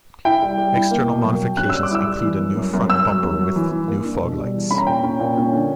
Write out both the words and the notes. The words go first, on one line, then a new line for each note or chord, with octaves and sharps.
External modifications include a new front bumper with new foglights.
E4 G5
G3
G3
E4
A#3
B2
F#3
F#3
C#4 F#6
G3 E6
D6
E4 E6
G3
E3
F#2
F#2
F#2
F#2 E6
F#3
F#2
F#3
E3
E3
A#3
G2
B2
G3
E2
C#4 B5
A#5
A#2 G5
C#4
A#2
C#4
D3